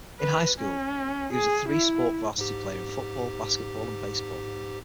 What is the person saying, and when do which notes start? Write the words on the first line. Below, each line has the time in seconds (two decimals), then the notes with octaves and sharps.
In high school, he was a three-sport varsity player in football, basketball, and baseball.
0.20 B4
0.59 C#4
1.33 G#4
1.69 E4
2.38 G#2 G4